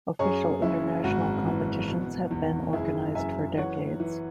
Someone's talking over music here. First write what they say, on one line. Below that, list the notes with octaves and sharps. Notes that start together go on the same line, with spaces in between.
Official international competitions have been organised for decades.
F#2 G#4 C#5
F#1 E4
G#1 F#4
E3
B2
E2
F#1 E4 G#4
F#2 E5 G#5
E3 C#5 F#5
E3